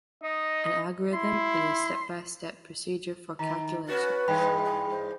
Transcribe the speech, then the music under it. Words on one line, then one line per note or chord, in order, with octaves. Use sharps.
An algorithm is a step-by-step procedure for calculations.
D#4 D#5
E4 C6
D#3 A#5
C#4 F#4 B4 A6
G2 E3 G#3 G5 B5
G#4
C5